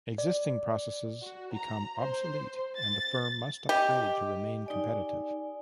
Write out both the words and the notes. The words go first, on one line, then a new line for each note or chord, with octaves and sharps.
Existing processes become obsolete and the firm must upgrade to remain competitive.
D5
F#4
A#5
C5
A6
G4 D#5
D#4 D5 G#5